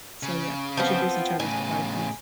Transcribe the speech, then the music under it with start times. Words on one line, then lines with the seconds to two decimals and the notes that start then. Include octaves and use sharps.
So, yeah, introduce each other to a lotta things.
0.23 C#3
0.77 F3 B3 C4
1.40 A2 C#3 G#5